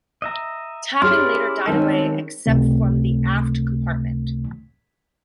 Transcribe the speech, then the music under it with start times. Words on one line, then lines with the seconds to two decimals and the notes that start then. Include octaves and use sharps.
Tapping later died away except from the aft compartment.
0.22 D#5 E5 A#5
1.02 C#4 E4 G4 G#4 D5 C6 F6
1.67 D#3 G3 G#3 C4 C#4 A4
2.46 C#2 C3 A3